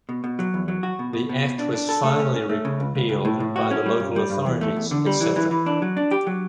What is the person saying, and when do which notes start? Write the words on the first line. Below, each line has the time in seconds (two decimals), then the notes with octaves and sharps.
The act was finally repealed by The Local Authorities etc.
0.09 B2
0.24 B2
0.39 F#3
0.54 E2
0.68 F#3
0.83 F#4
0.99 B2
1.13 B2
1.29 B2
1.44 B2
1.59 D4
1.74 D4
1.89 A4
2.04 A3
2.20 C#4
2.34 C#4
2.49 A3
2.65 C#3
2.80 C#2
2.95 C#2
3.09 C#2
3.25 A2
3.40 A2
3.56 F#4
3.71 C#4
3.86 G3
4.00 G2
4.16 G3
4.30 G2
4.46 E2
4.61 A3
4.76 E2
4.91 D3
5.06 G3
5.21 E3
5.36 E3
5.51 E3
5.66 D4
5.82 F#3
5.97 D4
6.11 G4
6.27 F#3